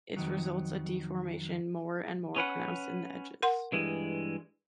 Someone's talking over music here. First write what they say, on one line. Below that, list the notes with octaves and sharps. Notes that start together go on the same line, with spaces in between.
It results a deformation more and more pronounced in the edges.
F2 D#3 F#3
C#4 B4 F#5
A#4 F#5 C6
G2 E3 G#3